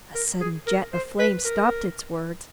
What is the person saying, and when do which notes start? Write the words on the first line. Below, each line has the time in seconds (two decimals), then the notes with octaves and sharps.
A sudden jet of flame stopped its words.
0.15 A#4
0.41 G#4
0.67 A#4
0.94 C5
1.19 B4
1.45 A#4